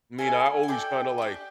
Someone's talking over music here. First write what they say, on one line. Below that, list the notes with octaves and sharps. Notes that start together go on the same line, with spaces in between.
I mean, I always kinda, like
A3 C#4 F#4 A4 G#5
G#5
D4 F#4 A4 G5
D4 G4